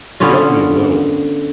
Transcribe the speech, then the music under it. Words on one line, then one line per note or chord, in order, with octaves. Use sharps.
He helped me a little.
D3 B3 C#4 F4